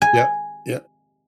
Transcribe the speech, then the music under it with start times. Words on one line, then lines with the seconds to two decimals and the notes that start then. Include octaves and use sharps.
Yep. Yeah.
0.02 G#5